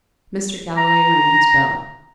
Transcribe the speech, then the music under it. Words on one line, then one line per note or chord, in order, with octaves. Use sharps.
Mr. Galloway rang his bell.
A#5